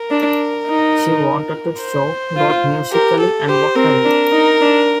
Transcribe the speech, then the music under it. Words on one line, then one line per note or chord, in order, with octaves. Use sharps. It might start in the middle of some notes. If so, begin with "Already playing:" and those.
She wanted to show growth musically and vocally.
Already playing: A#4
D4
D#4
C5
F4
G4 A#4
A4
G4 C5
C4 A#4
D4
D#4
D4